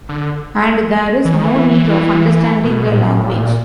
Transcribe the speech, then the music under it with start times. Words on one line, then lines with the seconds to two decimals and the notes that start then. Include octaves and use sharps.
And there is no need of understanding the language.
0.09 D3
1.25 E3
1.34 D#3
1.44 E3
1.71 E3
2.64 B2
2.87 A#2
2.95 A2
3.02 A#2
3.11 A2
3.26 A#2
3.34 A2
3.41 A#2